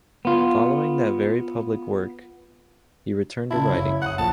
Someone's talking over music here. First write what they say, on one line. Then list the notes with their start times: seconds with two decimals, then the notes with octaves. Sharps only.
Following that very public work, he returned to writing.
0.25 B3 F4
3.51 C#3 E4 A5
3.71 F#1 C#5
4.02 F#5 D#6 F#6
4.18 A#1 A5 D#6